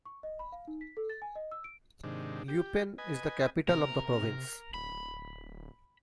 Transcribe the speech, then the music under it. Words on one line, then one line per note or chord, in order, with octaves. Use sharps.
Lupane is the capital of the province.
C#6
D#5
B5
F5
D#4
B6
A4
A6
G#5
D#5
E6
D7
G#2 C3 D#3 D4
G4
B4 D#5 G#5
C3 A#4
D1 B5